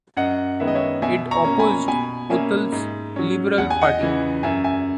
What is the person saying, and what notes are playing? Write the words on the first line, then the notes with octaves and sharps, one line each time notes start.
It opposed Utah's Liberal Party.
F#2 D#5 F#5
D#3 G#3 B3 E5
D#5
C#5 E5
B2 E5 G#5
A#5 C#6
A#3 C#4
G#5 B5
B2 G#5 B5
A#3 C#4 E5 G#5
G#2
F#3 C#4
E2 F#5
G#5
D#5 F#5
C#3 E3
F#2 E5 G#5
E5 G#5